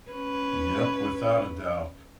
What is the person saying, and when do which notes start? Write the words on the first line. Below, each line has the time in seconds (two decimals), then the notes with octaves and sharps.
Yep, without a doubt.
0.10 C#4 B4